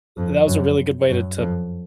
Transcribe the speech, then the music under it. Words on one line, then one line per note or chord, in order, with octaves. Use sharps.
that was a really good way to to
F2
F#2
F#2
F2